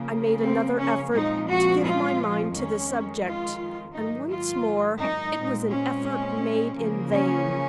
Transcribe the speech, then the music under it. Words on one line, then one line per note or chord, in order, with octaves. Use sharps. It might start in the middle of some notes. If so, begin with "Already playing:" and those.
I made another effort to give my mind to the subject--and once more it was an effort made in vain.
Already playing: C#3 F3 A#3
C4
C#4
A#2 F3 G#3 C4 D#4
F#4
F4
F2 D#3 G#3 C#4
F4
G#2 D#3 F#3 A#3 D#4
F4
D#4
A#2 G#3 C4
C#4
C#3 F3 A#3
C#4